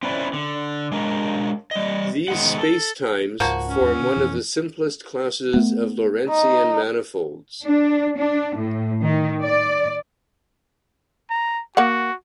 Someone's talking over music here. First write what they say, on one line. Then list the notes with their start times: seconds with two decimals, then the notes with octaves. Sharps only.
These spacetimes form one of the simplest classes of Lorentzian manifolds.
0.03 C4 C#4 E4 B4 D5
0.33 D3
0.92 G#3 D4 A#4
1.71 G3 D#5
2.28 D#3 G#3 B3 F#5
2.59 A4
3.40 C#2 G#2 F3 A#3 F#4
3.68 C#4
3.81 D#2 G#2 G3
3.98 B2 D3
4.16 F2 B2 E3
5.54 A3 B3
6.29 D#4
7.64 D4
8.17 D4
8.56 A2
9.03 D#3
9.43 D5
11.30 A#5
11.77 A#3 F#4 F#5